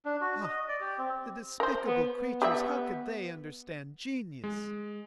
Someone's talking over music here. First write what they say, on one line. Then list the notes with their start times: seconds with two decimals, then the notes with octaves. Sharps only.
Ah, the despicable creatures, how could they understand genius!
0.05 D4
0.21 F#4
0.43 D#5
0.68 D5
0.81 G4
0.98 C4
1.60 A#4 C5
1.87 B3
2.06 B3
2.42 G4 D5 E5
4.44 G#3